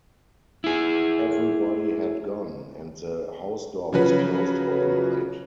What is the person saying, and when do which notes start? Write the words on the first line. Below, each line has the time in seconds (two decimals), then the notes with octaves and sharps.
Everybody had gone, and the house door was closed for the night.
0.64 E4 G#4
3.93 C#3 F3 F#3 F#4 B4